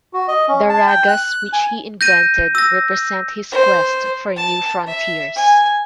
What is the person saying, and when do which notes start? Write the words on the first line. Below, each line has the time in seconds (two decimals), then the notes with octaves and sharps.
The ragas which he invented represent his quest for new frontiers.
0.13 F#4
0.28 D#5
0.48 C#4
0.69 A5
0.87 G5
1.08 F#6
1.53 G#5
2.01 G6 A#6 D#7
2.55 E6 A#6
3.52 C5
4.36 A5
4.86 E5
5.36 G#5